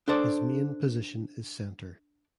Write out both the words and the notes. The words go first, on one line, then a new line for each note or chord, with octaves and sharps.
His main position is centre.
D4 A4 C5 D5